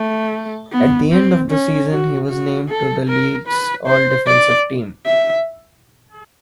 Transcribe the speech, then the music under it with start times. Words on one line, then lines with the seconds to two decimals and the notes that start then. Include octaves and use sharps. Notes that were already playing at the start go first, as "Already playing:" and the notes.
At the end of the season, he was named to the league's All-Defensive Team.
Already playing: A3
0.72 B3
1.12 C4
1.50 C#4
1.91 F#4
2.29 F#4
2.69 A4
3.08 A#4
3.47 B4
3.86 C5
4.27 D5
5.06 E5